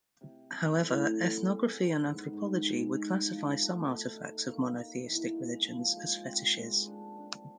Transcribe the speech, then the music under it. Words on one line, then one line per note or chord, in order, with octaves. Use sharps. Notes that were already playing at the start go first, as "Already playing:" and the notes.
However, ethnography and anthropology would classify some artifacts of monotheistic religions as fetishes.
C3
C3
A2
F#3
G#4
B3
G#2
G#2
G#3
D#4
F3
A3
B2
D#4
A#3
D#4
E3
G#3
F3
G#3
C4
G#3
D4
D4